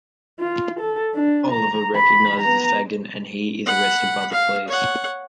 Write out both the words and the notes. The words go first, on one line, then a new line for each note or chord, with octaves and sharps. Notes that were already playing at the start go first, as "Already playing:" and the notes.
Oliver recognises Fagin and he is arrested by the police.
F4
A4
D4
A#5
B5
B3 A#5
F#5 B5
F5
C#5 F#5